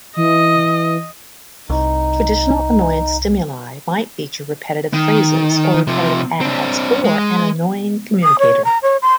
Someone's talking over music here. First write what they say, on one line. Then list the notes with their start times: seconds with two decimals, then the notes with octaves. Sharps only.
Traditional annoyance stimuli might feature repetitive phrases or repetitive ads or an annoying communicator.
0.17 E3 D#5
1.70 C2 D#4
4.94 D#3
5.87 C3 F3
6.41 C4 D4
7.05 G#3
8.23 D#6
8.39 C#5
8.64 A#5
8.82 C#5
9.02 C6